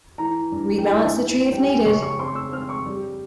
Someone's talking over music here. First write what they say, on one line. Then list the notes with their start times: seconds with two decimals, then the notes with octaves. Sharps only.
Rebalance the tree if needed.
0.18 E3 A#5
0.52 G2
0.78 G5
0.86 E4 G#5
1.18 E4
1.52 G3 G5
1.68 G#5
1.86 C#3 C#6
2.02 C#6
2.19 C4 C6
2.27 C#6
2.35 E6
2.52 C4 F6
2.69 C#6
2.86 G3